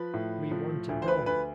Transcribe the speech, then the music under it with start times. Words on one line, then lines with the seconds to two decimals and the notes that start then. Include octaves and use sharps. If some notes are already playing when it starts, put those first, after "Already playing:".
We want a dome!
Already playing: F3 B4
0.14 A2
0.51 F3
0.89 D2
1.02 C5
1.08 B4
1.26 D2 B4